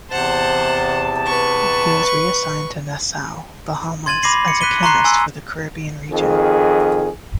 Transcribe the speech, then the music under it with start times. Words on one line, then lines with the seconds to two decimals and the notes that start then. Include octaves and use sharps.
He was reassigned to Nassau, Bahamas as a Chemist for the Caribbean region.
0.10 E2 C3 C5 F#5 A5
1.27 B4 C#6
4.06 C6 G#6 A6 D#7 F#7
4.23 B5 D6 A#6 C7 F#7
4.48 C#7
4.61 F#6 B6 D#7 G7
4.83 A#5 C6 C#6 F#6 C7
5.04 G#5 C6 E6
6.12 F2 D#3 G#4